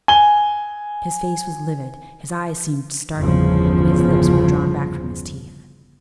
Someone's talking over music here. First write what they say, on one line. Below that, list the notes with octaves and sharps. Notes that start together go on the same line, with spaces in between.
His face was livid, his eyes seemed starting, and his lips were drawn back from his teeth.
G#5 G7
G1 E2 C#3 F3